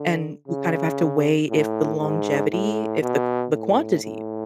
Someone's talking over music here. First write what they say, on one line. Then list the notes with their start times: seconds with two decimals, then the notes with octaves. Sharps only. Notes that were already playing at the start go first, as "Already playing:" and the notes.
and, you kinda have to weigh if the longevity, if the q the quantity,
Already playing: D3
0.48 C#3
1.50 A2
2.01 G#2
2.52 A2
3.02 B2
3.53 A2
4.04 A2